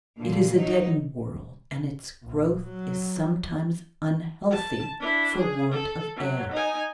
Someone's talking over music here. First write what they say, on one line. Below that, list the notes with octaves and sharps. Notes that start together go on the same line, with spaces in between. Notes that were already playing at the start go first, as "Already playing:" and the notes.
It is a deadened world, and its growth is sometimes unhealthy for want of air.
A#2 D3
F#3 D#4
A#1
F#3
A5
D4 E4
G#4
A4
F#3
D#4 G#5